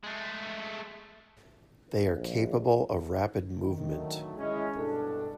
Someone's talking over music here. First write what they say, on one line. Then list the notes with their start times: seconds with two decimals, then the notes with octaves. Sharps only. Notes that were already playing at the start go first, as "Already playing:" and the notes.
They are capable of rapid movement.
0.04 G#3 A3
2.16 A#1
3.60 D#3
3.91 D3 F#3 A3
4.37 G#3 C#4 E4 D#5
4.76 G2 B2 D4 A4